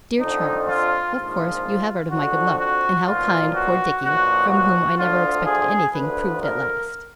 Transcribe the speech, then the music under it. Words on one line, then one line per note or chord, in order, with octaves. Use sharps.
'DEAR CHARLES--Of course you have heard of my good luck, and how kind poor Dickie--from whom I never expected anything--proved at last.
F2 D3 F3 D#4
F4
A#1 G#2 F3 F4
F2 D3 F3 F#4
F#4
B1 A#2 F3 F4
F#4
B1 A#2 F3 F#4
F#4
D2 D3 F3 F4
G#4
D2 D3 F3 B4
A#4